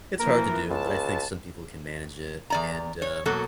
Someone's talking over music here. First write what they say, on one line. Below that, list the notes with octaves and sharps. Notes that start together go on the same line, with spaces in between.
It's hard to do, but I think some people can manage it, and, um,
E3 F3 A#3 A#4
C#2 A5
E2 D5 A#5
C#5
B2 F#3 A#3 F#4 A4